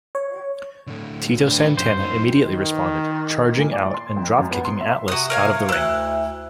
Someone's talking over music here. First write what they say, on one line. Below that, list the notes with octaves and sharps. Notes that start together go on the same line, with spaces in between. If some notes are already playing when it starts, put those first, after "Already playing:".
Tito Santana immediately responded, charging out and dropkicking Atlas out of the ring.
C#5
A2 D3
D4 B4
F#2 C5
A#3 D#4
D#3
A#2
D5
C6
F2
F#2
B3
C6
E5
C3 F#4 D#6
A#4 C#5 F5
D2 E4 F#6